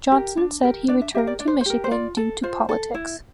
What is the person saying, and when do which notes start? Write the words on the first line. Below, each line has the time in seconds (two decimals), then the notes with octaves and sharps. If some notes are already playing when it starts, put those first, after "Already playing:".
Johnson said he returned to Michigan due to politics.
0.12 G4 A#4
0.37 D4
0.63 G4 A#4
0.88 D4 D5
1.01 E5
1.14 G4 E5
1.18 A#4
1.27 D5
1.40 D4 D5
1.48 C5
1.61 C5
1.66 G4 A#4
1.84 C5
1.91 F4 D5
2.17 A4
2.43 F4 C5
2.69 A4
2.94 E4